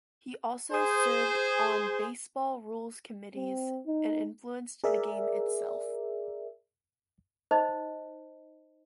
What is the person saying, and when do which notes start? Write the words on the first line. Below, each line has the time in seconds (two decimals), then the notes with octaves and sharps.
He also served on baseball rules committees and influenced the game itself.
0.72 G#4 C5
3.35 C4
3.86 D#4
4.84 G#4 A#4 D5 E5
7.51 D#4 C5 D#5